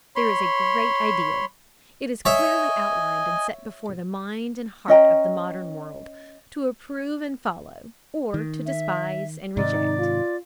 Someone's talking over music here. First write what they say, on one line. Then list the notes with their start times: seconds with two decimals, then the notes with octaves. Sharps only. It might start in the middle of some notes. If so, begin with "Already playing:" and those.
There is a great ideal. It is clearly outlined and set before the mind and heart of the modern world, to approve and follow, or to despise and reject.
0.16 C#5 B5 C6
2.25 C#5 D#5 E5 G#5
4.88 C#4 D#5 G5 A#5
8.34 D#3
8.66 E5
9.57 G#2 C3 D#3 D#4 D5
9.98 F4